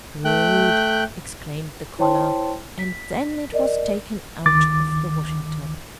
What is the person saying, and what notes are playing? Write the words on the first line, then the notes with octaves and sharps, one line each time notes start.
"Prude!" exclaimed the collar; and then it was taken out of the washing-tub.
A3 G5 F#6 G6
E4 C5 C#5 G5 A5 C6
B6
A#4 D5 D#5
C#2 D#3 D6 A6